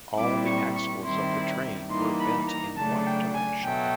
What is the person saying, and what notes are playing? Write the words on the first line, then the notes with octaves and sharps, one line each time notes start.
All the axles of the train were bent in one direction.
A#2 G3 C4 E4 D6
C#6
C#6
D#3 G3 C4 E4 C6
E3 G3 A#3 D#4 C6
B5
A#5
C#3 F#3 A3 D4 A5
G5
G#5
B2 F#3 A3 G5